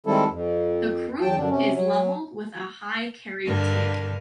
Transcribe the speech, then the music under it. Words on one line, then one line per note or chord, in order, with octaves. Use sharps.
The croup is level with a high-carried tail.
D#3 G3 G#3 C4 E4 A4
F2
E2 F#3 G5 A5
F#2 D3 D4
C3 C#4
F#3
G2 D3 A#4